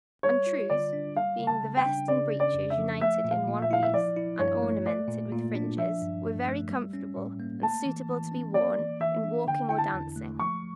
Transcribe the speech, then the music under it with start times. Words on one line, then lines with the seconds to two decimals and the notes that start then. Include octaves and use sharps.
And trews being the vest and breeches united in one piece, and ornamented with fringes, were very comfortable, and suitable to be worn in walking or dancing.
0.23 G3 C#5
0.46 F4
0.70 D3 D5
0.93 D4
1.16 G3 F5
1.39 C#3
1.47 A5
1.63 C#3
1.77 G5
1.86 D4
2.08 C#3 D5
2.32 C#4
2.40 D5
2.54 F2
2.70 E5
2.78 F3
3.00 A3 E5
3.24 A#2
3.31 F5
3.47 A#2
3.62 E5
3.71 E4 F5
3.83 E5
3.93 F3 D5
4.17 E4
4.39 G2 C#5
4.62 A3
4.86 A3 D5
5.08 A#2
5.32 A#2
5.55 D4
5.77 F3 E5
6.02 G2
6.24 G2
6.47 A3
6.70 G3
6.93 C#4
7.17 A2
7.40 A#3
7.62 A3 A5
7.86 E3
8.09 E3
8.32 C#4
8.54 A#3 D5
8.78 E3
9.00 E3 E5
9.24 D4
9.47 D3 G5
9.69 E4 G5
9.78 A5
9.93 E2
10.16 A3
10.39 F3 C#6